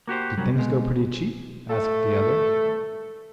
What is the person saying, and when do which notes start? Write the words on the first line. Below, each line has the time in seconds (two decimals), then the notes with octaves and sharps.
'Did things go pretty cheap?' asked the other.
0.08 A#3 F#4 G4 C5
0.38 C2 F#2 F#3 G3
0.55 B2 G#3
1.70 A3 A4